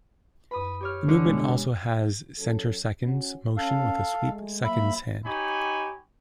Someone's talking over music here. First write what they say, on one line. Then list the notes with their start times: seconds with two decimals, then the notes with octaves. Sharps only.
The movement also has centre seconds motion with a sweep seconds hand.
0.51 F#2 B4 B5 D#6
0.81 G4 C#5 F6
1.08 D3
1.24 B2 G#3 B3 C4
2.39 F#3 C#4 A4
3.01 C#4 F#4
3.57 C#4 A4 F5
4.25 G#3 A3
4.64 F#3 A#3 E5 B5
5.25 D#4 G4 C#5 G#5 B5